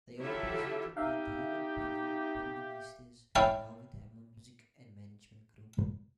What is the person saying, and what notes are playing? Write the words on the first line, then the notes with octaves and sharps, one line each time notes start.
They are represented by David "Beno" Benveniste's Velvet Hammer Music and Management Group.
F#3 E4 F4 G4 A4 E5
D#4 G4 E5 F5
C#4 E4 F5 G5 A5